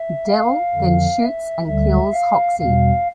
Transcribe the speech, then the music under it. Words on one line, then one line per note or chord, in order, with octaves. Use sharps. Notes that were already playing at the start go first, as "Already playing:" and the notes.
Dell then shoots and kills Hoxey.
Already playing: E5
F5
F2 D3 F3
E5
D2 D3 G3 E5
F5
E2 B2 G3 F5